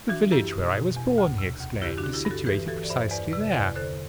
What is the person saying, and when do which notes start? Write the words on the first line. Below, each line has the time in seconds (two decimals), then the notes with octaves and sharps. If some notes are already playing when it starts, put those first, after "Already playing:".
'The village where I was born,' he exclaimed, 'is situated precisely there.
0.09 E3 D4 F#4
0.32 F#2 E4 G4
0.53 B2
0.75 B2
0.96 E2
1.18 D2
1.38 C3
1.60 D2
1.82 D3 E4 G4
1.98 D4 F#4
2.04 D3
2.14 E4 G4
2.25 G2
2.30 F#4 A4
2.46 E3 G4 B4
2.68 E3 F#4 A4
2.84 D5
2.89 G2 C5 E5
3.11 E2 B4 D5
3.32 C3 B4 D5
3.54 E2 B4 D5
3.75 D3 A4 C5